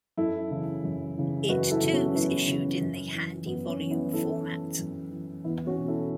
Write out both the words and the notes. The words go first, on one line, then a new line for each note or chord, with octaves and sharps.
It too was issued in the "Handy Volume" format.
F#2 E4 A4
C#3 E3
F#2
C#3 E3
F#2 F#4 B4
E4 A4
C#3 E3
C#4 F#4
F#2 B3 E4
C#3 E3
F#2
E3
F#2 B3
C#4
E3
B3 E4
F#2 E4 A4
E3
F#2
E3
E2 B3 E4
C#4 F#4
B2
E4 A4